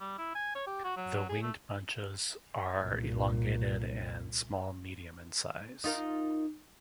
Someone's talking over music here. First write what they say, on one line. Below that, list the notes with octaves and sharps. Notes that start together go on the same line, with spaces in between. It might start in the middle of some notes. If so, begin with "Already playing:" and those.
The winged bunches are elongated and small-medium in size.
G3
E4
G#5
C#5
G4
F#4
F#3
G#4
A3
C2 A#2
D#4 F4 A#4